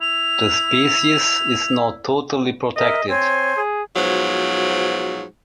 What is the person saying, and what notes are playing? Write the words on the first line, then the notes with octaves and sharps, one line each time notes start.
The species is now totally protected.
E4 F7
A#4 D#5 E5
C4 C5 C#5 G#5
G#4
G#2 B2 F3 F#3